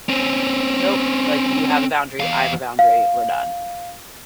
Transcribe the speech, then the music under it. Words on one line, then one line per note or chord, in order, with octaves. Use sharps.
nope, like, you have a boundary, I have a boundary, we're done.
C4 C#4
E2 F5
F5